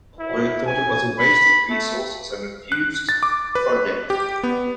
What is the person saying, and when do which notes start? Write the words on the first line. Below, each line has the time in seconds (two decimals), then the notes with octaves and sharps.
Colbert thought it a waste of resources and refused to support the project.
0.19 E4
0.66 G#5
1.19 B5
1.70 A3
2.72 F#6
3.09 A6
3.23 D6
3.55 B4
4.10 G4
4.43 B3